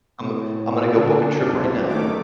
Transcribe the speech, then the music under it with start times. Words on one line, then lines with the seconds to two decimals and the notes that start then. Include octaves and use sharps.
I'm I'm gonna go book a trip right now.
0.21 A2
0.96 D3 D4
1.39 F#1
1.88 D#3 A3 D6